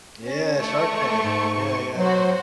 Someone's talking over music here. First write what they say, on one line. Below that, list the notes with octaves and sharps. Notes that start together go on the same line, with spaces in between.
Yeah, Shark Tank. Yeah, yeah, yeah.
C#4
A3 C#6
G#2
F#3 F#4 C5